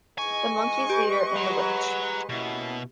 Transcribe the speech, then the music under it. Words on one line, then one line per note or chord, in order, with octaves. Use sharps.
The Monkey's leader and the Witch.
G#2 E3 G#3 D#5 G#5 C#6
G#3 G4 B4
F#5 A#5
B2 A#3 C#4 E4